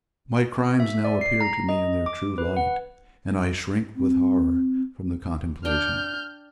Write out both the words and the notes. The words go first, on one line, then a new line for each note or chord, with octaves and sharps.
My crimes now appear to me in their true light; and I shrink with horror from the contemplation.
E5
D5
C7
A#5
D#5
D6
B4
F#5
C4
D4 G5 F6 G6